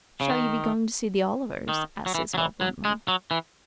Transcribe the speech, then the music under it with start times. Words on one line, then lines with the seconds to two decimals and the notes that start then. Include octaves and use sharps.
"Shall you be going to see the Olivers?" asked Isabel bluntly.
0.21 C#3
0.30 D#3
1.69 D#3
2.06 F#3
2.15 E3
2.34 F#3
2.38 E3
2.61 F#3
2.85 G#3
3.08 F#3
3.31 E3